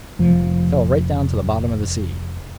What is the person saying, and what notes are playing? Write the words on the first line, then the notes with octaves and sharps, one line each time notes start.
It fell right down to the bottom of the sea.
F1 F3